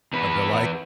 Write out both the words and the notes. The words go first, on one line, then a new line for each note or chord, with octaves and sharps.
And we're like,
E2 B4